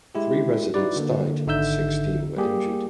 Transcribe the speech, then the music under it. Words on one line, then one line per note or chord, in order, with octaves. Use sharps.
Three residents died and sixteen were injured.
G#3 E4 G4
D#4 E4 F#4 B4 D5
D3 A#3
G#1 D3 D#4 E5 E6 G6
G3 A#3 G4 G#4